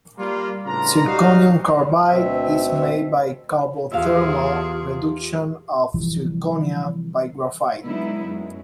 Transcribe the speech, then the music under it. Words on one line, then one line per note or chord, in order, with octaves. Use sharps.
Zirconium carbide is made by carbo-thermal reduction of zirconia by graphite.
G3 A#3 F4
A2 C#3 B3 D4 F4 A#5
G3 D#4 F#4 F5
D2 B2 C4 E5
E2 F4 G4 G#4 E5 F5
C3 E3 F3 G3
D3 F#3 G#3 B3 D#4 E4
F#2 G#3